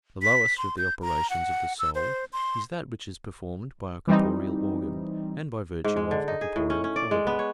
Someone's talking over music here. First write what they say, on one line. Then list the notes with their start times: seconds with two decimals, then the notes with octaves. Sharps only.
The lowest of the operations of the soul is that which is performed by a corporeal organ, and by virtue of a corporeal quality.
0.22 B6
0.58 C6
0.78 G6
1.02 A#5
1.30 F#5
1.79 E6
1.95 C5
2.33 C6
4.07 E3 G3 C4 D#4
5.84 G#2
5.96 G#3
6.11 D3
6.28 D#4
6.41 G#4
6.56 A2
6.70 C#4
6.84 C#4
6.96 D5
7.11 G#3
7.27 B3
7.39 C#5